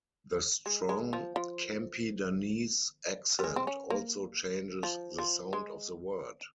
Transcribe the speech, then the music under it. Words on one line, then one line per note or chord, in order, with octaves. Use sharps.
The strong Campidanese accent also changes the sound of the word.
G#3
G#3
F3
F3
G3
G#3
C4
C#4
A#3
F3
F3
G#3